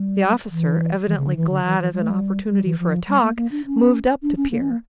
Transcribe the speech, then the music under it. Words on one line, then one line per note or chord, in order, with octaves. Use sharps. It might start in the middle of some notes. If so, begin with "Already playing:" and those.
The officer, evidently glad of an opportunity for a talk, moved up to Pierre.
Already playing: G3
E3
E3
C#3
D3
E3
D3
E3
E3
G3
A3
G3
G3
E3
F3
G3
A#3
A#3
D4
C#4
D4
C#4
A#3
C#4
A#3